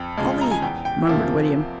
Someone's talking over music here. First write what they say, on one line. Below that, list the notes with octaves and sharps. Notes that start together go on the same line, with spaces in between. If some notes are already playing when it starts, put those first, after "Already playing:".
"Golly!" murmured William.
Already playing: F2 G5
C#3 F3 G#3
A#5
G#5
E2 G5
G5
C3 F3 A#3 E5